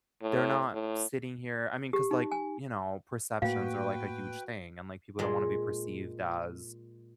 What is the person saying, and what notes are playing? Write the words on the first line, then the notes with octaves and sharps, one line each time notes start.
They're not sitting here I mean, 'cause, like, you know, perceptions are, like, a huge thing, and, like, people don't wanna be perceived as,
A2
A2
G4
D#4
G#5
A2 A#3 F#4 B4 F5 G5
A#2 G#3